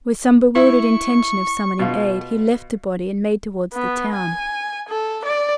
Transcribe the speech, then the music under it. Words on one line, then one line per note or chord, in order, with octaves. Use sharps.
With some bewildered intention of summoning aid, he left the body and made towards the town.
E4 C#6
B2 F4
B3
G#5
A4
D5